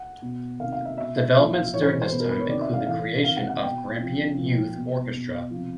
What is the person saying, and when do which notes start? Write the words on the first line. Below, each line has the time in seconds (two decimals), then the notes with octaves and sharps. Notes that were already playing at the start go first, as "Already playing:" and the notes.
Developments during this time include the creation of Grampian Youth Orchestra.
Already playing: F#5
0.22 B2
0.60 C3 D#3 F5
0.72 F5
0.85 E5
0.98 B2 E5
1.17 E5
1.35 A#2 F3 E5
1.54 F5
1.73 A2 C#5
1.78 E3 C5
2.02 C5
2.11 B2 B4
2.20 A#4
2.29 B4
2.40 C#5
2.49 C3 D#3 D5
2.61 E5
2.74 F5
2.87 A2 E3 F5
3.24 C3 D#3 F5
3.37 F#5
3.49 F#5
3.62 B2 G5
3.99 C3 F3
4.37 A#2 F3
4.76 B2
5.13 B2
5.51 C3 F3